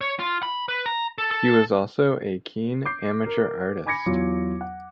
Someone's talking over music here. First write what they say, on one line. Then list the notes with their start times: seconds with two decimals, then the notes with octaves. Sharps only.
He was also a keen amateur artist.
0.01 C#5
0.19 F4
0.43 B5
0.68 B4
0.86 A#5
1.18 A4
1.31 A4
2.85 D6 G6 C7
3.26 A#4
3.86 G#5 B5 D6 G#6 A#6 C#7
4.06 E2 F#3 F4 D6
4.61 F#5